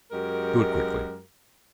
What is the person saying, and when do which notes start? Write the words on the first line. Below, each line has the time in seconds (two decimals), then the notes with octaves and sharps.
"Do it quickly."
0.12 F#2 G#3 F#4 G4 A#4